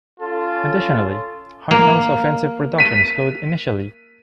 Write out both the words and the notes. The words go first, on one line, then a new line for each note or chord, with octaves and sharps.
Additionally, Hartnell's offensive production slowed initially.
C#4 F4 A4
A#3
B6 D#7